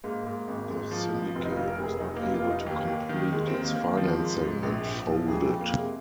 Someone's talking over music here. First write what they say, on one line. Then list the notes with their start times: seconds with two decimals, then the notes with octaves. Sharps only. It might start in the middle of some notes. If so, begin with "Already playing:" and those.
The syndicate was not able to complete its financing and folded.
0.04 G#2 A#3
0.27 G#2
0.48 G#1
0.70 G#2
0.91 F3
1.14 G#1
1.35 F1 C4
1.45 D#4
1.51 F4
1.56 F1
1.68 A#4
1.79 F1 G#4
2.00 F1 D#4
2.16 A#3
2.22 F1
2.34 F4
2.44 F1
2.50 D#4
2.66 D#2 A#3
2.87 D#2
3.09 D#3
3.32 D#2 G#3
3.48 C4
3.54 D#3
3.65 A#3
3.76 D#3 A#3
3.97 F3 C4
4.19 G#2
4.41 G#2
4.63 A#1
4.85 A#1
5.06 F3
5.28 F2 G#4
5.45 F2 G#3
5.61 A#3
5.72 C3
5.78 G#3